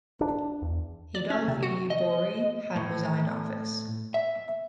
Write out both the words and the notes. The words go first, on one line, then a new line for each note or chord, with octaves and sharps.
Adolph E. Borie had resigned office.
D4
E2
D5
C#4
C3
F#4
D#5
A2
E5